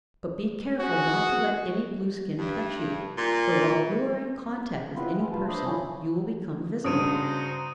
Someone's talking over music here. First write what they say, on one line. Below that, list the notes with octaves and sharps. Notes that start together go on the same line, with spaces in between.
But be careful not to let any Blueskin touch you, for while you are in contact with any person you will become visible.
F#4 G#4
G2
A#2
B3 C4 E4 F4 B4
E3
G2 B2 A#3 F4 B4 A5
D4 C5 D#5 E5 B5 C6
F2 A#2 F3 F#3 C#4 E4
G2 C#3 D#4 F#4 C5 D#6 D7 D#7